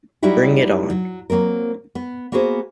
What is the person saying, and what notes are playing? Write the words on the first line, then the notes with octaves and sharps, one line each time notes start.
Bring It On!
F#3 G3 D#4 E4 F#4 G4
F#3
F#3 A#3 C4 A#4
B3
A#3 B3 F#4 G#4 C5